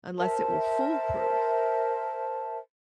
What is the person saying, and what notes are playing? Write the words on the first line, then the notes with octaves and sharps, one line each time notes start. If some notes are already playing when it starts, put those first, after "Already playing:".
unless it were foolproof.
A#4 C5 E5 A5